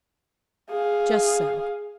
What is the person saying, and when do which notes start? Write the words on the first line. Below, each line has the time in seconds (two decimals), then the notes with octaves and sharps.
"Just so."
0.70 G#4 F5